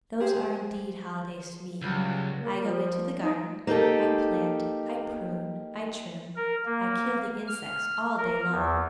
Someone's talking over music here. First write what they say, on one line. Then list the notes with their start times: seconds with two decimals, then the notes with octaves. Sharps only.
"Those are indeed holidays to me; I go into the garden, I plant, I prune, I trim, I kill the insects all day long."
0.20 G4 G#4 C5
1.82 C#2 F#3 G3 G6
2.39 A#3
2.65 F3
3.22 D#4
3.67 A#3 D#4 G4 A4
6.36 A#4
6.66 A#3
7.47 F6
8.17 A#4
8.50 E2